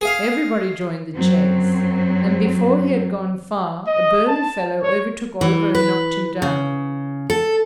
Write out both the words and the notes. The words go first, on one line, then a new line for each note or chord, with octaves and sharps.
Everybody joined the chase, and before he had gone far a burly fellow overtook Oliver and knocked him down.
G#4 F5
F#2 F#3 C4
D#5
A5
C#5
E3
B4
C#3
A4